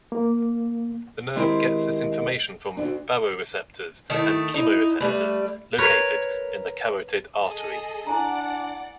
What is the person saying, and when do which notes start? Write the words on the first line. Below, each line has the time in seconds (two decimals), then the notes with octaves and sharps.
The nerve gets this information from baroreceptors and chemoreceptors located in the carotid artery.
0.12 A#3
1.36 D#3 G#3 C4 E4 G4 A#4
2.77 D2 G2 D4
4.10 D#3 A3 E4
4.54 D#4 E4
5.00 G3 A3 B4
5.78 A#4 B4 C#5
7.41 G#4 A4 D#5
8.07 D4 E4 D5 F#5 G#5 A#5